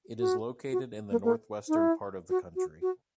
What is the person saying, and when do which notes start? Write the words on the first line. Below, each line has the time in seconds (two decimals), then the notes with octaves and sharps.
It is located in the northwestern part of the country.
0.19 F#4
0.72 F#4
1.11 A#3
1.24 A#3
1.68 D#4
1.76 E4
2.30 F#4
2.56 F#4
2.82 F#4